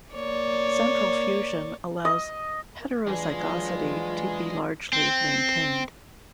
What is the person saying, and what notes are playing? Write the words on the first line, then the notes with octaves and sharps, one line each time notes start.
Central fusion allows heterozygosity to be largely maintained.
A#3 C#5 D5
D#5
E3 F#3 G#3 D4 F4 G#4
C4